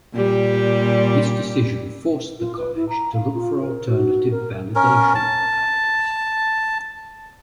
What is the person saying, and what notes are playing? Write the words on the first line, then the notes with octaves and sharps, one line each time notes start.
This decision forced the college to look for alternative validation providers.
A#2 G3 G4
F4
B4
E4
A#5
F5
F4
A#4
F#4
A#4
C#4 A#4
A5